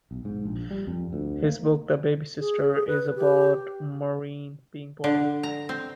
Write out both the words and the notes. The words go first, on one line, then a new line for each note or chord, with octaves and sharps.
His book "The Baby Sister" is about Maureen being born.
B1
G#2
A#1
G3
F2
D2
A#3
G#4
B4
G4
D3
A#5
C4